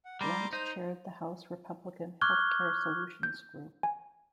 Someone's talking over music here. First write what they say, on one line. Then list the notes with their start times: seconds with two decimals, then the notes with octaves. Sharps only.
Blunt chaired the House Republican Health Care Solutions Group.
0.05 F#5
0.21 G3 A#5 C6 D6
0.53 D#4 C5
2.21 C#6 D6 F6 F#6 G#6 G7
3.23 G6
3.83 G#5